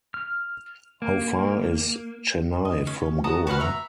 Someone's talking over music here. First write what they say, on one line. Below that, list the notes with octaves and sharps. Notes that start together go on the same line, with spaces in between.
How far is Chennai from Goa?
F6
A#3
D#5
C#4
F#4 A5 A#5 D#6
F#4 B4 F#5 F6
E5 A#5